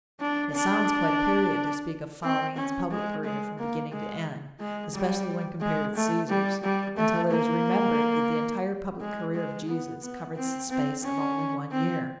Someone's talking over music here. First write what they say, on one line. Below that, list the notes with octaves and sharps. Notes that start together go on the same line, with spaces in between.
It sounds quite a period to speak of "following his public career" from beginning to end, especially when compared with Caesar's, until it is remembered that the entire public career of Jesus covers the space of only one year.
D4
D4
C4
C#4
G#3
G#3
A#3
G#3
G#3
G3
G#3
A3
G3
G3
A3
A#3
G#3
G#3
B3
B3
C4
C4
C#4
C4